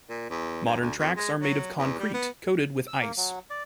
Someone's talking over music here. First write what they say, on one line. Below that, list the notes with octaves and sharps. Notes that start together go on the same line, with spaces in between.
Modern tracks are made of concrete, coated with ice.
A#2
E2
G2
D2
F2
G#3
F#3
E2
G3
B3
E6
A#3
F#3
D5